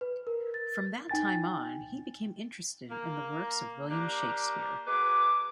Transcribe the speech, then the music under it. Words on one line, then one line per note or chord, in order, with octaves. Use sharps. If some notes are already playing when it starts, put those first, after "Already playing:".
From that time on he became interested in the works of William Shakespeare.
B4
A#4
A6
D#4 G5 G#5 A6
A#3
A#3 D4 G4
F#3 G#3 B4 D6